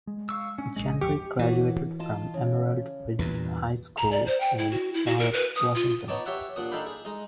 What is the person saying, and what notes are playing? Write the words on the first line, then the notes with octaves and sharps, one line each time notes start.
Jendrick graduated from Emerald Ridge High School in Puyallup, Washington.
G#3
F5 C#6 E6
C#4
A#1 G#3 C#4 D#5
G#1 D#2 F3 G4 C#6
D#2 E3 F#4
F4 D#5 A5
C#3
E2 G2 A#2 B4
A#5
D5
C5
G5
E4
F#4
E4
F#4
A#4
B4
D#6
F4
B3 D#4 C#5 A5 D6
G4 C#5 E5 F#5
A#2 D4 F#5 D#6
D4 D#4 A4 F5 G5 B5
G#4
G#3 D#4